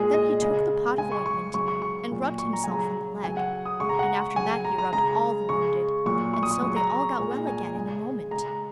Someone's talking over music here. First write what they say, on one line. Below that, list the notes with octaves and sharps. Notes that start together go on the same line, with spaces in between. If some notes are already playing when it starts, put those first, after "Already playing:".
Then he took the pot of ointment and rubbed himself on the leg, and after that he rubbed all the wounded, and so they all got well again in a moment.
Already playing: A#2 G#3 G#4
D#5
C#3 G#3
C#3 G#3 G#5
C#6
C#6
C#3 F#3 C#6
C#6
C#6
A#2 F#3
C#6
A#5
C#3 F#3 G#5
A#5
C#3 F#3 G#5
F#5
D#6
C#3 G#3 C#6
A#5
F#5
C#3 F#3 G#5
A#5
A#5
C#3 G#3 A#5
C#3 G#3 C#6
A#2 F#3 C#6
C#6
D#6
C#6
C#3 F#3 C#6
A#5
A#2 G#3
G#5
C#3 G#3
C#3 G#3 A#5